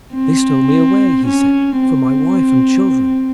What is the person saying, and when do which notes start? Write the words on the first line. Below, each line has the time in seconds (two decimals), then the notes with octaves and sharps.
"They stole me away," he said, "from my wife and children."
0.14 C4
1.26 C#4
1.81 C4